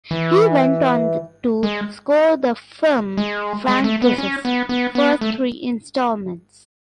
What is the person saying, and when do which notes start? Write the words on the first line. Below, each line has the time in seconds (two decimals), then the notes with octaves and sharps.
He went on to score the film franchise's first three installments.
0.11 E3
1.63 G#3
3.17 G#3
3.68 G#3
3.84 A3
4.02 B3
4.18 C#4
4.45 B3
4.69 B3
4.95 B3
5.21 A3